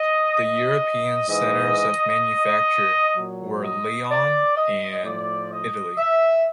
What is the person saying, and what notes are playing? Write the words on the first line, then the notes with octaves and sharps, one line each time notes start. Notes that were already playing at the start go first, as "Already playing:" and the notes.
The European centres of manufacture were Lyon and Italy.
Already playing: D#5
G#2 E3 D#5
A#2 F#3
D#5
D5
D#5
A2 F3 D5
D#5
E5